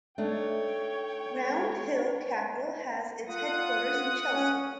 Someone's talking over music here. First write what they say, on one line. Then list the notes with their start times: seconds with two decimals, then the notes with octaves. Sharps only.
Round Hill Capital has its headquarters in Chelsea.
0.18 A3 D4 D#4 C#5 G5
3.28 F4 F#5 D#6
4.31 C#4